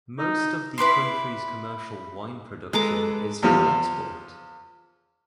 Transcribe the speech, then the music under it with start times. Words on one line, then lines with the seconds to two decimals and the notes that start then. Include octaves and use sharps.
Most of the country's commercial wine production is for export.
0.19 D#4
0.78 E4 B4 D5 C6
2.73 G#3 A4 B4 A#5 D6
3.43 E2 F3